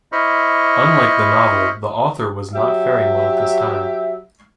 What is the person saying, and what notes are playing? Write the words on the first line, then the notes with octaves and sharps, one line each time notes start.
Unlike the novel, the author was not faring well at this time.
E4 C5 D#5 B5 C#6 F6
F#3 G4 E5